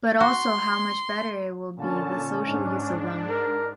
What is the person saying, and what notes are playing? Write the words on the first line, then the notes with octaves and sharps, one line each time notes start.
But also how much better it will be the social use of them.
F#4 C6
A#2 D3 C#4 A5
G#2 D4
A#4